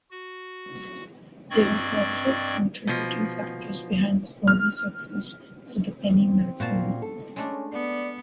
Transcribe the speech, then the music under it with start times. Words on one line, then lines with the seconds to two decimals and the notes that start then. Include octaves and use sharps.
There were several contributing factors behind this early success for "The Penny Magazine".
0.11 F#4
1.50 G2 C4 D5 D#5 C#6 G#6
2.87 B2 F3
4.48 F6
5.98 C4
6.60 A#2 F#4 C5 A5
7.02 A4
7.36 G#3 A3 C#4 D4
7.72 B3 D5